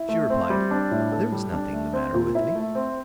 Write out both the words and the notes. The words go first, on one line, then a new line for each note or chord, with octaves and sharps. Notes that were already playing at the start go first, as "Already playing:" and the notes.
She replied: "There is nothing the matter with me."
Already playing: E4
A3
C4
G3
D4
A2
A4
G3
D4
A3
C4
A#2
E4
A3
C4